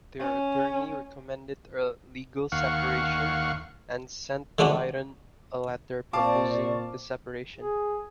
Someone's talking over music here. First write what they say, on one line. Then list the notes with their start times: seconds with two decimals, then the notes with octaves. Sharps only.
Their attorney recommended a legal separation and sent Byron a letter proposing the separation.
0.20 C#4
2.52 D#2 F5 F#5 C#6
4.59 D3 G#3 A3 C#4 D4 F#4
6.13 A#2 C4 D5 F5 A5 C#6 D6
7.57 G#4